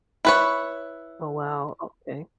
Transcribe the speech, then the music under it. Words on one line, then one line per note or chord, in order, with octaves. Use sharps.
Oh, wow, okay.
E4 B4 C#5